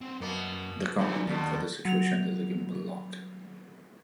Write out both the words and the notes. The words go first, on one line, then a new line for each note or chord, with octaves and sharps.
The common name for this situation is gimbal lock.
B3 C4
F#2 B2 A#3 B3
G2 A#2 F3 G3
D#2 B2 D3
F#3 F7